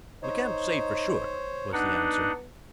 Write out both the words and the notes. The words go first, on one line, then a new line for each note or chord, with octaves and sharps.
"We can't say for sure," was the answer.
D#4 C5 C#5
B3 D4 D#4 F#5